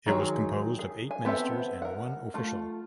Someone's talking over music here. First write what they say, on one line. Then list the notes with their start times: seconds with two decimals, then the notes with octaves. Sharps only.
It was composed of eight ministers and one official.
0.06 D#3 F#3 G#3 G#4
0.79 G#4
1.11 G#5
1.25 B3 C4 A4 E5
1.82 A#4 F#5
2.34 A3 F4